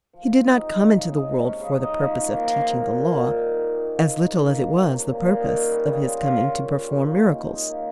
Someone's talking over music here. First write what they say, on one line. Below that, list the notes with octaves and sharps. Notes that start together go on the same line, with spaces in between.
He did not come into the world for the purpose of teaching the Law, as little as it was the purpose of His coming to perform miracles.
F3
C4
D#4
G#3
C#3
C#3
G#3
C3
C#4
C#3
D#4
F3
C#4
A#3
F3
C#3
A#3
A#2
C#4
D#3
G4
G4
G#3
F3
D#3
G#3
A#3
F3
C#4
C3
A#2
A#2
D#3
C#4
G3
C#3
F4
F4
C#4
C#4
G3
G3
A#3
D#3
G4
G#3
A#3